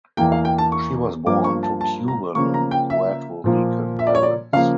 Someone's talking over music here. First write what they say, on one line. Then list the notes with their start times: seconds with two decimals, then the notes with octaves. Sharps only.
She was born to Cuban and Puerto Rican parents.
0.17 E2 E3 A#3 G5
0.32 F5
0.45 G5
0.58 A5
0.72 C#6
1.26 G2 F3 A#3 D6
1.44 C#6
1.63 A5
1.81 A5
2.08 A#5
2.35 C#3 F3 A#3 C#6
2.54 A#5
2.71 G5
2.90 E5
3.44 A#2 F3 A#3
3.99 E5
4.07 D5
4.15 C#5
4.23 D5
4.53 C#3 F3 A#3 F5